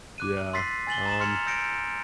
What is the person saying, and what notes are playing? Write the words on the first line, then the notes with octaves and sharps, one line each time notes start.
Yeah, um
D6 F#6 D#7
C6 E6 A6 B6 C7
G#5 A6 F#7 G7
A#5 E6 A6 E7 F#7
C6 F6 G#6 C#7 F7
E6 G6 A#6 C#7 D7